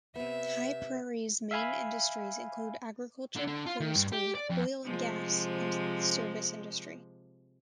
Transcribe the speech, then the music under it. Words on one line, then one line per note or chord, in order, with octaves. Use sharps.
High Prairie's main industries include agriculture, forestry, oil and gas, and service industry.
C3 B3 E5
E5 F5 G#5 B5
D3
D3
F4
D#3
G2
G4
D5
F2
C3 F3 G#3